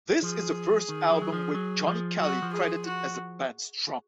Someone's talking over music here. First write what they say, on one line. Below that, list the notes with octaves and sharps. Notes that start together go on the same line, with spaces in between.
This is the first album with Johnny Kelly credited as the band's drummer.
F3 G#4
D#3
F3
F#3
F3
F#3
F3
F#3 F#4
F3
G#4
F3
F#4